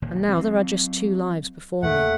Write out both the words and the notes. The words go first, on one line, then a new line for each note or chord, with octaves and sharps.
And now there are just two lives before me.
E1 A#2 D#3
F#3 C4
E2 A#2 A3 F#5